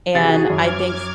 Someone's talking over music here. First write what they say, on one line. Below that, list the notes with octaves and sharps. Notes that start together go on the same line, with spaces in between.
and I think f
C3 F#4 G#4 A6
F#2 D6 F6 G#6